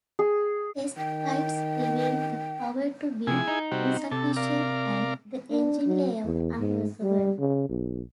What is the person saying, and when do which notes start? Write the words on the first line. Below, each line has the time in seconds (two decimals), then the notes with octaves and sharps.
Test flights revealed the power to be insufficient and the engine layout unworkable.
0.19 G#4
0.97 D#3 G5
3.27 C3 F3 E4 G#4 G#5
3.48 D#4
3.71 C3 G3 F#4
4.11 C3 A4
4.36 A#4 D5 F5
5.50 D4
5.87 F#3
6.25 E2
6.59 G#2
7.02 G3
7.39 C#3
7.69 B1